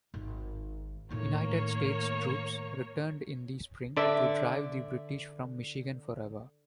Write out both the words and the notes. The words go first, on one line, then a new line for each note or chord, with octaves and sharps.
United States troops returned in the spring to drive the British from Michigan forever.
G#1
A2 D#3 A#3 C#5
D3 D5 E5